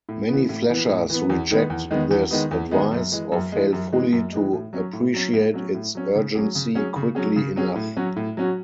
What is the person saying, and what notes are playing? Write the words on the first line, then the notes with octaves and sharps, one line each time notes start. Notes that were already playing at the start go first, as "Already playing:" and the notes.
Many fleshers reject this advice, or fail fully to appreciate its urgency quickly enough.
A2
E3 B3
A2
E3 B3
A2
E3 B3
E2
D#3 G#3 B3
E2
D#3 G#3 B3
E2
D#3 G#3 B3
E2
D#3 G#3 B3
F#2
E3 G#3
F#2
E3 G#3
F#2
E3 G#3
F#2
E3 G#3
A2
F#3 C#4
A2
F#3 C#4
A2
F#3 C#4
A2
F#3 C#4
C#3
F#3 C#4 G#4
C#3
F#3 C#4 G#4
C#3
F#3 C#4 G#4
C#3
F#3 C#4 G#4
A2
F#3 C#4 F#4
A2
F#3 C#4 F#4